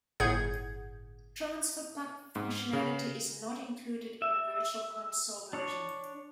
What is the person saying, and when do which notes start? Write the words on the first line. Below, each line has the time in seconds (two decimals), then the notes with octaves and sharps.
Transfer Pak functionality is not included in the Virtual Console version.
0.20 G1 A2 G#4 F#5 G6 G#6
2.36 G#2
2.73 C#3
4.22 E5
5.53 D4 C#5